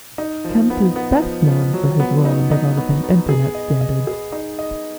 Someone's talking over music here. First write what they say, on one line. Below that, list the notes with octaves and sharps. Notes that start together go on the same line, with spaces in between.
Kent is best known for his role in developing Internet standards.
D#4
F3
B3
B3
F3
F3
F#3
B3
D#4
D#4
B3
B3
G#4
D#5
D#5
G#4
D#4
D#5